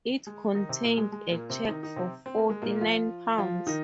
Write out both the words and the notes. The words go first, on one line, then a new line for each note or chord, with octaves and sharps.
It contained a cheque for forty-nine pounds.
G#3
D#3 D#4
C3 C4
A#2 A#3
G#3
G#3
A#2 A#3
C3 C4
D#3 D#4
D#3 D#4
C3 C4
C4
A#3
G#3
A#2 A#3
F3 F4
F3 F4
D#3 D#4